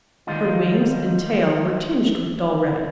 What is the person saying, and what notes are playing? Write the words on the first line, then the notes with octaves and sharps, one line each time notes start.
Her wings and tail were tinged with dull red.
D#3 E3 G3 G#3 D#4 F4